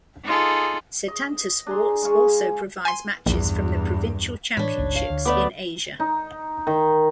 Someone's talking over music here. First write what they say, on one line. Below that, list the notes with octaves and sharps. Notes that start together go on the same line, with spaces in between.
Setanta Sports also provides matches from the Provincial championships in Asia.
D#4 F4 G#4 A4
D#5
D4 G#4 A#5 C6
G#3 G#4 F5 C#6
G#5 C6
A#1 E2 G2
A2 E3 D4 C#5 B5
G1 C#2
F5
D2 D3
A3 B3 D5 B5 D6
D#4
D#3